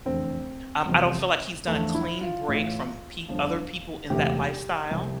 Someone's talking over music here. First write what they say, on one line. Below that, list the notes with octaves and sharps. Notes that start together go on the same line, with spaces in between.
Um, I don't feel like he's done a clean break from peo other people in that lifestyle.
F1 E2 D3 C4
G1 F2 C3 E3
E2 D3 F3 A3
E4
F4
A1 A2 E3
G1 F2 D3 F3
E1 D2 C3 E3 G4
C2 C3 F3